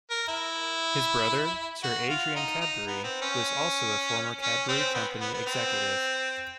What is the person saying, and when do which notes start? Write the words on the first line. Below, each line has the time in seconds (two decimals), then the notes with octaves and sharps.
His brother, Sir Adrian Cadbury, was also a former Cadbury company executive.
0.10 A#4
0.28 E4
1.83 F#4
2.09 F4
2.35 D#4
2.61 D#4
2.87 B3
3.04 C4
3.22 C#4
4.42 C#4
4.68 C4
4.94 B3
5.21 B3
5.34 B3
5.46 C4